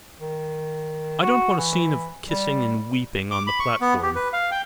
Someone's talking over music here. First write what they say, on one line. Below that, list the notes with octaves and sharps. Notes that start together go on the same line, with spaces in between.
I don't want a scene of kissing and weeping on the platform.
D#3
F#4
E3
G3
D6
B5
C#6
B3
G4
B4
F5
G5